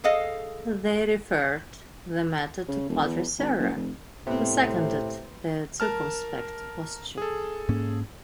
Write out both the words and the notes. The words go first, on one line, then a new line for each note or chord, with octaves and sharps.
They referred the matter to padre Serra, who seconded their circumspect posture.
G#4 A4 D#5 F5
C#3
E1
E2
G#1
F#1
F1
A2 C3 B3 C4
A#4 A5 F6
G#4 A4
G#2 A#3 C#4